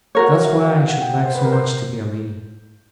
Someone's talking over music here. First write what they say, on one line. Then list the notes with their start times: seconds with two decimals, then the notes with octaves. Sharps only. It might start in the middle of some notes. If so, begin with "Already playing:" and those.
That's why I should like so much to be a lady.
0.15 F#4 A#4 C#5 F5
0.24 F#5
0.33 F5
0.43 E5
0.52 F5
0.70 F5
0.88 F#5
1.01 G5
1.14 F#5
1.25 C5
1.35 B4
1.45 A#4
1.53 C5